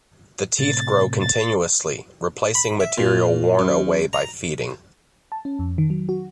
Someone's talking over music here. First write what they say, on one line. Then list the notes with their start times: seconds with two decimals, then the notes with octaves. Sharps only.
The teeth grow continuously, replacing material worn away by feeding.
0.59 A2 C3 A6
1.20 A6
2.55 B5
2.80 E5
2.98 A#2
3.59 F#2
4.13 A#5
5.32 A5
5.45 C#4
5.59 F2
5.78 D#3
5.90 F#3
6.09 F#4